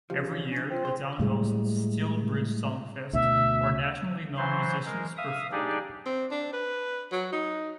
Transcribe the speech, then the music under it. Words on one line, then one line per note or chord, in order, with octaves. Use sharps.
Every year, the town hosts "Steel Bridge Songfest," where nationally known musicians perform.
C#3 F3 G4
D4
C#4
C4 F4
G#4 C5
A2 G3 G#3
D2 B2 E5
E3 F#3 C5 C6
G#3 A#4
E5 F5 D#6
D4 D#4 G4 G#4 D5
C4
D4
B4
F#3
D#4